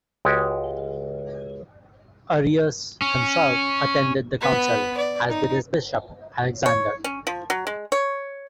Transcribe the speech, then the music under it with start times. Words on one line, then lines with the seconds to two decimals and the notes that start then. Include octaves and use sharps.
Arius himself attended the council, as did his bishop, Alexander.
0.25 C#2 G#3 F#4 G4
3.02 C#4
4.41 B3 B4
4.97 D5
5.29 D#4
6.66 C#5
7.04 C#4
7.27 F3
7.50 F#3
7.67 G#3
7.92 C#5